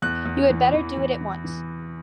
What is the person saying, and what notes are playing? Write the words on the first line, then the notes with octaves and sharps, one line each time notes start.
You had better do it at once.
E2 F#6
E2
E3
E3
E3
E3
E3